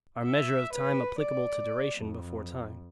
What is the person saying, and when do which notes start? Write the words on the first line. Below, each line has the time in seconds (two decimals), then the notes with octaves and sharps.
Our Measure of Time applicable to Duration before Time.
0.24 E5
0.74 B4
1.19 D5
1.99 F2